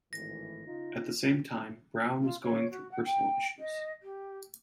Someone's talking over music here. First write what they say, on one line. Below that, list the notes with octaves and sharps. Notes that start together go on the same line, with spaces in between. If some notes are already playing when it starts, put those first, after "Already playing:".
At the same time, Brown was going through personal issues.
G#1 A2 E3 A#6
C#3 D#4 F4
F4
C#5
F#4
F#5
G5
D#5
G4